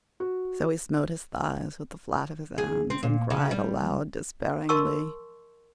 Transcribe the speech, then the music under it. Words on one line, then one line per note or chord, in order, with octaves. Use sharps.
So he smote his thighs with the flat of his hands and cried aloud despairingly.
F#4
G#4
C4
A#2
C#3
G3
A#4 D#5 A5 C6 C#6 E6